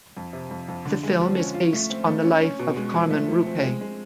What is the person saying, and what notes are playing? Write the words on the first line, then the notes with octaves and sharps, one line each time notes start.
The film is based on the life of Carmen Rupe.
F2
C3
F2
F2
D3
G#3
F3
C#4
F4
A3
C4
A3
C#4
C#4
B2
G#3
F3
A3
F3
C4
G#3
G#3